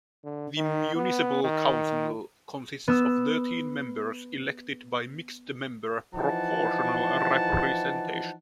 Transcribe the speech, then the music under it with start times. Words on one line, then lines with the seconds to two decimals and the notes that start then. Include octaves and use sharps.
The municipal council consists of thirteen members elected by mixed-member proportional representation.
0.24 D3
0.57 D#3
0.95 B3
1.44 D#3
2.88 B3 E6
6.15 E3 F3 D#4 F#5 A5